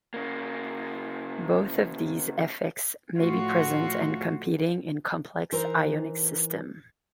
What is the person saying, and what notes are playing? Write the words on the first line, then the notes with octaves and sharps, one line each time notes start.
Both of these effects may be present and competing in complex ionic systems.
C#3 A#3
A2 F3 A3 F4 F#4
E3 D#4 A#4 C5